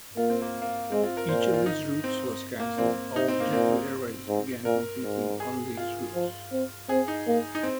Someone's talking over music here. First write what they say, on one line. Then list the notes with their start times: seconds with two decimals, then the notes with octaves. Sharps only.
Each of these routes was canceled after JetBlue Airways began competing on these routes.
0.17 A#3 F4
0.30 C4
0.42 A#3
0.62 A#3
0.92 G#3 C4
1.04 F4
1.17 A#4
1.29 A#2 C5
1.41 A#4
1.54 F4
1.66 D#4
2.04 C4
2.59 A#3
2.78 A#2 C4
3.15 C3 D#4
3.28 C4
3.40 A#3
3.53 A#2 C4
4.28 G#2
4.65 A#2 A#4
5.03 G#2
5.40 G#4
5.77 F4
6.14 F3
6.52 C4
6.89 C4 G#4
7.08 D#4
7.27 A#3
7.55 D#4
7.63 C4